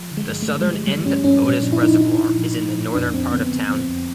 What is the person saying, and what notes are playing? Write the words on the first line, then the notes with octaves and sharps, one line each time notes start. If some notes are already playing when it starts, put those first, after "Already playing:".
The southern end of Otis Reservoir is in the northern part of town.
Already playing: F3
D3
G#3
G2
A3
D3
G#3
F3 G3
D3 G3
G2 C#4
G2 C#4
A#2 C#4
F3 D4
E4
F3 D#4
F3 E4
A#2
F3
A#2
F3
F2 D4
F2 C4
D3 B3
D3
F3 C4
F2